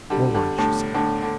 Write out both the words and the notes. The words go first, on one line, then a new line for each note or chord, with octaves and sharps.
"All right," she said.
D3 G3
D3 G3
A2 D3
A2 D3
D3